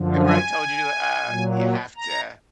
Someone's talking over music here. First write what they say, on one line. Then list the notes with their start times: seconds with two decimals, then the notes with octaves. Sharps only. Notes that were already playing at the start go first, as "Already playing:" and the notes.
'Member I told you, uh, you have to
Already playing: F#2 D3 F3
0.23 G#5
1.27 A#2 F#3
1.97 A#5